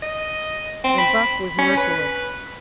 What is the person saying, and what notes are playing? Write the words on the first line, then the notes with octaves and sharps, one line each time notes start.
And Buck was merciless.
D#5
C4
B5
C#4
B4